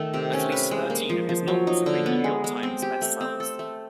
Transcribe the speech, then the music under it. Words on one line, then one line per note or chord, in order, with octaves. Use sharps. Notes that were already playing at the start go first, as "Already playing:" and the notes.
At least thirteen of his novels have been "New York Times" Best Sellers.
Already playing: D#3 A3
C3
C#4
B4
G#3
A#3
F3
F3
F#3
D#4
D3
B3
G#3
G#3
C4
G4
A3
C4
A4
A3